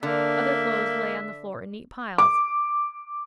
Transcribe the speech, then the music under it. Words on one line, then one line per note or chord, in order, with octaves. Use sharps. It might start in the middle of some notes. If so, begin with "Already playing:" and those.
Other clothes lay on the floor in neat piles.
D3 A#3 E5
D6